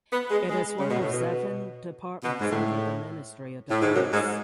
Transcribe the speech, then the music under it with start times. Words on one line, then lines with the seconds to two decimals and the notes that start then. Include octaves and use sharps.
It is one of seven departments under the Ministry of Defence.
0.12 B3
0.31 G#3
0.50 G#3
0.79 C#3
0.90 B2
1.01 A2
1.11 B2
2.23 B2
2.41 G#2
2.51 A2
3.70 A2
3.81 G#2
3.95 F#2
4.13 G#2